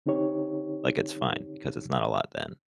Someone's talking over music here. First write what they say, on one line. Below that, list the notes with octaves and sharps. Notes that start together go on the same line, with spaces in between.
like, it's fine because it's not a lot then.
D3 C4 D#4 G4 C#5